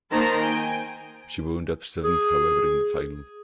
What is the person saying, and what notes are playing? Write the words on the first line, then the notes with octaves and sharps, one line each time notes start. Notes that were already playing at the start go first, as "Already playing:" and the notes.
She wound up seventh, however, in the final.
D#3 A#3 C5 A5 A#5
G5 G#5
G#4